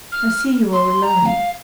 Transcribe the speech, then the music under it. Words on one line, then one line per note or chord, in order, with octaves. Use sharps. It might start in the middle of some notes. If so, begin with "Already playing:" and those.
I see you are alone.
F6
C6
A#5
F5